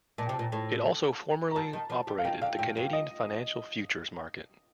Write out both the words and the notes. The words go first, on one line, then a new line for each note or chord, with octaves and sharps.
It also formerly operated the Canadian Financial Futures Market.
A#2 A5
G5
C3 A5
A#2
A2
A#5
G2 A5
D#3
F3
G3
F5
D#3 G5
D3 F5
A2 G5
G2
D#5